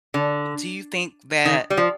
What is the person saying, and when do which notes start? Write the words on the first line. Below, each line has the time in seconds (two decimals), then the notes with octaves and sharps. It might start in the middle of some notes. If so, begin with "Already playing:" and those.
d do you think that
0.14 D3
1.45 D#3
1.70 G3
1.77 F3